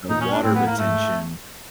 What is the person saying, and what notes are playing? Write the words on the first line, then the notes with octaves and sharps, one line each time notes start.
the water retention,
A#2 D#4
C#4
D4
A2 C4
B3
A#3
G#2 A3